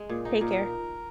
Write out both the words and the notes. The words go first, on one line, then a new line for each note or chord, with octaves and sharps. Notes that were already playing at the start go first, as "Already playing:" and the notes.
Take care.
Already playing: G#3
A#2 G#4
D#4 G#4
A#2 A#4